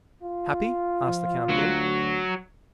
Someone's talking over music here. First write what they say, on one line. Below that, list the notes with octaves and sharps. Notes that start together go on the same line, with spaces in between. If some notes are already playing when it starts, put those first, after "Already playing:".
"Happy?" asked the count again.
F4
F3
D2 F#3